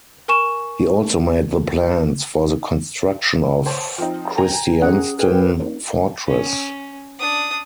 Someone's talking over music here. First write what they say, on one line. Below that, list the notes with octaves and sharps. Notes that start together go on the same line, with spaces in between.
He also made the plans for the construction of Kristiansten Fortress.
A#4 G#5 C#6 E7
C5 C#5 A5
F3 C4 D#4
G5 G#5 A#5
C#4 G#4 F#5
G#4 A#4 B4 G5
C#4
D4 D#6